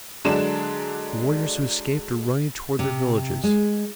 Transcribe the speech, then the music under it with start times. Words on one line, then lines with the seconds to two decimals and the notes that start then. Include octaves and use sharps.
The warriors who escaped are running toward their villages.
0.25 D3 F#3 G#3 D4 A5 E7
2.79 C3
3.44 G#3